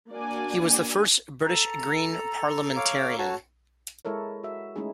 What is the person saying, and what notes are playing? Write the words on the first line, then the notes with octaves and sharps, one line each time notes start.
He was the first British Green parliamentarian.
A#3 D4 F#4 D5 G#5
A4 A#5
C#5 F5 D6
F#4 C#5 A5
G#3 E4 A4 A#4 C#5
F#4 E5
G#3 A3 C#4 D#4 E4 G#4